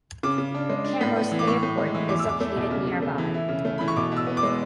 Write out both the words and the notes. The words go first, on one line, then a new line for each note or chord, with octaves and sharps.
Camrose Airport is located nearby.
C#3 D6
C#3
D4
G#3
D4
A2
B3
E3
D6
A2 C#6
A2
G#3
E3
E2 D6
E6
E2 D6
A3
B2
C#3
C#3
A3
E3
E4
C#3
A3
E3 B5
C#6
B2 D6
B2 E6
B3
D6
G#3